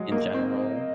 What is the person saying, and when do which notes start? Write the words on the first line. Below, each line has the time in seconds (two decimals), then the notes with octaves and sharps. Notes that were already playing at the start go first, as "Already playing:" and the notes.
in general.
Already playing: F#3 G#3 D#5
0.12 A#3
0.34 C4